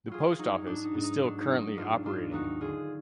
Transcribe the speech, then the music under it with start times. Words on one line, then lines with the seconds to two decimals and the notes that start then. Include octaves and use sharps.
The post office is still currently operating.
0.09 F#3 F4 G#4
0.39 F#3 D#4
0.67 G#2 D4
0.85 D#4
0.94 G#2
1.03 D#4
1.22 F#3 D4
1.41 D#4
1.49 F#3
1.58 D#4
1.77 G#2 D4 F4
2.05 G#2 D4 F4
2.32 D#2 D#4 F#4
2.61 D3 F4 G#4